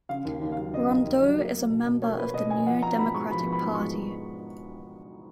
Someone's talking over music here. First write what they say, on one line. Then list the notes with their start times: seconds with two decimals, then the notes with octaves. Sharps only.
Rondeau is a member of the New Democratic Party.
0.09 C#3 F5
0.25 D#2
0.42 D#2
0.52 F5
0.57 F#3
0.73 C#3 D#5
0.90 D#2
1.05 D#2
1.22 F#3
1.38 A#3
1.54 A#3
1.70 B2
1.86 B2
2.02 A#3 C#5
2.18 A#3 B4
2.34 B2 D#5
2.50 B2 G#5
2.67 F3 F#5
2.82 B3 A#5
2.98 G#2 B5
3.14 G#3 C#6
3.31 F3 B5
3.46 B3
3.52 B5
3.62 G#2
3.74 C#6
3.79 G#3